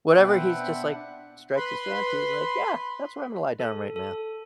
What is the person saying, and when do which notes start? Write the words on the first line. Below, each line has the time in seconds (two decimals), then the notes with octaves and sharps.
whatever he's just, like, strikes his fancy, he's, like, "Yeah, that's where I'm gonna lie down right now."
0.15 B2 B3 C4 D4 B4 E5 F#5 G5
1.56 B4 B5 C6
3.60 A4
3.96 A4